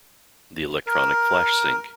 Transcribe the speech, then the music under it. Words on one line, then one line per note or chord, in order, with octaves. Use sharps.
The electronic flash sync.
A#4